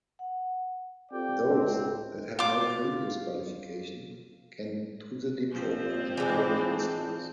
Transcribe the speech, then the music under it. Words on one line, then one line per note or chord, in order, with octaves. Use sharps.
Those that have no previous qualification can do the Diploma in Paralegal Studies.
F#5
C4 F4 G4 A4 D5 G5
C#2 A2 C4
F4 D6
F3 C4
E3 G#3 D4